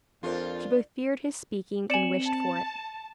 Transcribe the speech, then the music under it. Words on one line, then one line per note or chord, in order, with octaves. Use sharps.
She both feared his speaking and wished for it.
F2 D4 F4 A#4 C5
C4 D5 G#5 C#7 E7 F#7
A5